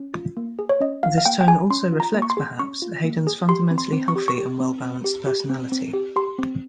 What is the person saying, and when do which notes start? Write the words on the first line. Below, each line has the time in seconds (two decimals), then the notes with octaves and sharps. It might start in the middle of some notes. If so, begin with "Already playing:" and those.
This tone also reflects, perhaps, Haydn's fundamentally healthy and well-balanced personality.
Already playing: C#4
0.14 F4
0.37 A#3
0.59 G#4
0.69 C#5
0.80 C#4 D#5
1.03 F4 F5
1.18 F5
1.26 A#3 G5
1.41 G5
1.48 G#4 G#5
1.70 C#4 C6
1.92 F4
2.00 A#5
2.15 A#3
2.22 C#6
2.30 C6
2.37 G#4
2.59 C#4 C#6
2.82 F4
3.04 A#3
3.27 G#4
3.49 G4 C6
3.71 C4
3.78 C6
3.93 C4
4.08 C#6
4.16 G4
4.28 C#6
4.38 G4
4.60 C4
4.82 C4
5.04 G4
5.27 G4
5.50 C4
5.72 C4
5.93 G4
6.16 G4 C6
6.39 C4